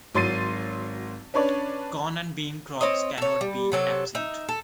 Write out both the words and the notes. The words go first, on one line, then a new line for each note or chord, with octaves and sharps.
Corn and Bean crops can not be absent.
G#1 F#3 C6 A6 C7 D#7
C#4 D4 B4 C#5 D5
C4 C#5 D#5
A4 C#5
G3
C3 F#3 A4
D#4 E5
A4